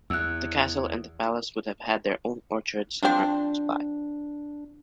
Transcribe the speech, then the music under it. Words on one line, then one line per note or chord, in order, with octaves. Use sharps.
The castle and the palace would have had their own orchard somewhere close by.
E2 E6 F#6
F3 C4 D4